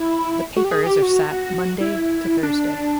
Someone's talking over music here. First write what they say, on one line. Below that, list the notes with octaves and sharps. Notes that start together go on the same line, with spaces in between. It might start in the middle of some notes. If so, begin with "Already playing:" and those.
The papers are sat Monday to Thursday.
Already playing: E4
F#4
G4
G#4
G4
F#4
E4
D4